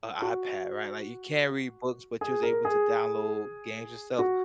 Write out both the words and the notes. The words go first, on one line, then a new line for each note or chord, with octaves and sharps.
a iPad, right, like, you can't read books, but you was able to download games and stuff,
F#4
G#4
A#4
G#4
F#4